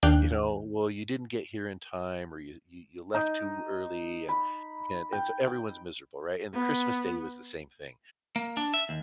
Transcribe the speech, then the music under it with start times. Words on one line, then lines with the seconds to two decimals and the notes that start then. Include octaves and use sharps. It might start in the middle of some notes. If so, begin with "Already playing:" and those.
You know, "Well, you didn't get here in time, or you you you left too early, and you can" And so everyone's miserable, right, and the Christmas Day was the same thing.
0.03 D#2 D4 F5 G5 F#6
3.14 D#4
4.29 B5
5.13 G5
5.47 G5
6.54 B3
8.36 A#3
8.57 D4
8.74 E5
8.89 D#2